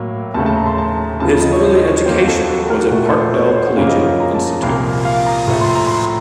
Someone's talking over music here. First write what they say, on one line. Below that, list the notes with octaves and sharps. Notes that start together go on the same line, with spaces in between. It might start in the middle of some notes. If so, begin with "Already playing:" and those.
His early education was at Parkdale Collegiate Institute.
Already playing: A2 F#3 A#3
D#2 C#3 A3 A5
A5
A#5
C6
A5
D#2 C#3 F3 A5
D#5
C#5
C5
D#5
C#5
C#5
F2 D#3 A#3 C5
F#4
A4
F#4
A4
A#4
F#4
A#2 A3 F#4
A4
C5
C#5
C5
C5
F#5
F#2 C#3 F3 A#3 F5
D#5
C#5
D#5
A#5
A5
C2 A#2 F3 A#3 F5
F5
A#5
A2 F3 A3
C6
A#5
C6